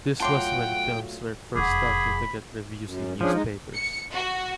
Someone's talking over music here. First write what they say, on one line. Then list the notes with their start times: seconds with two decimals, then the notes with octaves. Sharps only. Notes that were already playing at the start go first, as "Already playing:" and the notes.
This was when films were first starting to get reviews in newspapers.
0.20 F#3 A3 F4 F#5 G5 A5 C6 D6
1.56 E1 F2 G#4 F#5 B5 C#6 D6
2.83 F#2
3.21 F3 C#4 D4 G#4
3.32 G#3 D#4
3.73 C#7
4.13 F#4